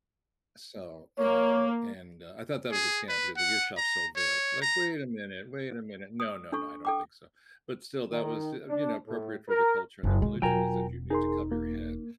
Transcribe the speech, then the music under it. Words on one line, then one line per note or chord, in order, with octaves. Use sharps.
So, um, and, uh, I thought that was a scam because the gift shop sold veils, like, "Wait a minute, wait a minute, no, no, no, I don't think so," but still, that was, eh uh, you know, appropriate for the culture and the religion is that you need to cover your head.
A#3 C#5
G#4
B4
F#5
A#5
C#5
A#5
D#6
D4 A4 C#6
A4 G5 D6
D#3
D4
A2
A#4
F#1
C#3 G#3
E1 F#3 B3 F4 A#4 G5 G#5 A#5
D#4 G#4 A#4 C6
A#3